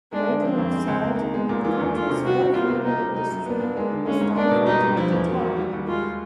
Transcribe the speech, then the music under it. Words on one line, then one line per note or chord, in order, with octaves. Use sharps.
Raking of salt, the country's fourth-leading industry, was done from time to time.
G#3 D4
D3
F3 C4
F2
G#3
C#2
A#3
D#3
G#3 B3
A#2
E3 F4
E2
A3 F4
C3
G3 F#4
C2
A#3 F4
C3
G3 D#4
C3
F#3 D#4
F#2
B3 D4
A#2
G#3
D3
G#3 C#4
G#2
A#3 D4
B2
G3 D#4
G2
F3 E4
E2
A#3 F#4
A#2
G3
D#2
G#3 F4